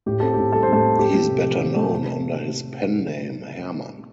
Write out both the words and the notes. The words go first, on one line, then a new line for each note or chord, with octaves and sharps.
He is better known under his pen-name Hermann.
A2 G4
C4 A4
A2 G4
G3 A4
C5
A2 A3 A4
C4
C4 G4
A3
C3
F3
C4
A3
C3